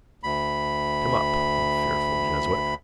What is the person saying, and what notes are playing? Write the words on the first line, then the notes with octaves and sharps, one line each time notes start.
Come up, you fearful jesuit!
D2 B5